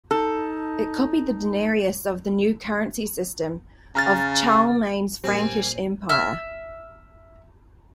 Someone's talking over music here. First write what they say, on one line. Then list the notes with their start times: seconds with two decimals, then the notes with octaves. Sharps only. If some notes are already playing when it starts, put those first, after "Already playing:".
It copied the "denarius" of the new currency system of Charlemagne's Frankish Empire.
0.11 D#4 A4
3.95 C#3 A#5 F6 A6
5.24 A#1 G3 A#3 C4 G#5
6.09 E5 F6